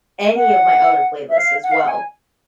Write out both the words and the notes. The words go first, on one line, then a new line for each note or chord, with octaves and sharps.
any of my other playlists as well,
F#5
E5
F5
F#5
F5
F#5
G#5